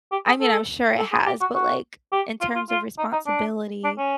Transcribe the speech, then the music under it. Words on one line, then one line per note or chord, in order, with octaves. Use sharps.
I mean, I'm sure it has, but, like, in terms of responsibility,
G4
G#4
A4
A4
G#4
G4
F#4
F#4
G4
F4
F4
F4
D#4
D#4
D4
D4
C#4